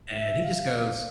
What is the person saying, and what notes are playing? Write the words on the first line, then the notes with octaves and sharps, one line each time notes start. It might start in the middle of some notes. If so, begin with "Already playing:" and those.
and he just goes,
E5
F5